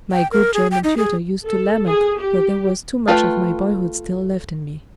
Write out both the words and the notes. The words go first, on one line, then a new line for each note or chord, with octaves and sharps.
My good German tutor used to lament that there was too much of my boyhood still left in me.
G5
A#4
G#4
G5
D#4
G#4
A4
G#4
G4
A3 F4 A4 B4 G5